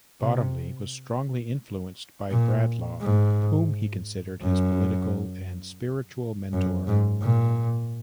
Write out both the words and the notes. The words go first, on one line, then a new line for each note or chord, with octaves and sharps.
Bottomley was strongly influenced by Bradlaugh, whom he considered his political and spiritual mentor.
C3
A#2
G#2
F#2
F#2
G#2
A#2